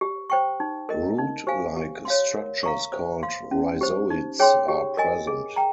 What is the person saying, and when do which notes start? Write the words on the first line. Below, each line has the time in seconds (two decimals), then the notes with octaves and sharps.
Root like structures called rhizoids are present.
0.01 G4
0.30 C5 G5 C#6
0.60 D#4
0.89 A#4 D#5
1.18 D#4
1.47 G4 C5 F5 G#5
1.76 G4
2.05 C#5 F5 C6
2.35 A#4
2.63 F5 A#5 C#6
2.93 C5
3.23 F5 C6
3.51 C#4
3.81 G4 C5
4.10 D#4
4.39 G#4 C#5 G5 C6
4.68 G4
4.97 A#4 D#5 G#5
5.27 G#4
5.56 G5 A#5